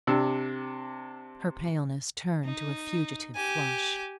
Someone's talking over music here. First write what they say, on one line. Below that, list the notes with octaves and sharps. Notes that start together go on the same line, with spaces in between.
Her paleness turned to a fugitive flush.
C3 D4 E6
D#4
G4 G#5